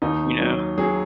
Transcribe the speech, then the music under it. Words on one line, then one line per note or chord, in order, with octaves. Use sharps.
You know?
D#2 D#4
F#3
F#3 G#4